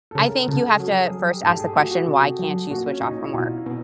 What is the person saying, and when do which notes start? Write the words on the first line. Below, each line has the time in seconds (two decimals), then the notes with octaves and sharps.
I think you have to first ask the question, "Why can't you switch off from work?"
0.11 A4
0.15 C#3 A#4
0.32 A#4
0.47 C#3 A4
0.64 G#4
0.80 F#3 A4
1.00 G#4
1.11 F#3
1.21 G4
1.43 G#2 A4
1.53 G4
1.60 G#4
1.75 A3 F#4
1.91 F#4
2.07 C3
2.39 F#3
2.71 A#2 F#4
2.86 C#4
3.02 A#2 D#4
3.18 E4
3.34 B2 F4
3.66 B2